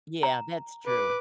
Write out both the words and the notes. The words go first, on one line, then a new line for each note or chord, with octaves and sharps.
Yeah. That's true.
A#5
B4 D6